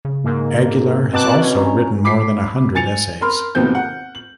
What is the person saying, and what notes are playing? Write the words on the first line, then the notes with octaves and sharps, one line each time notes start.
Aguilar has also written more than a hundred essays.
C#3
G#2 A#3
B2 C4 A5 A#5 D6 F#6
C#4
A#5
B5 D6 B6 C7
G#5 A6 C#7 F7
A#4 B5 C6 F6
F1 D#2 B2 B3 C4 G6
F#5
F#7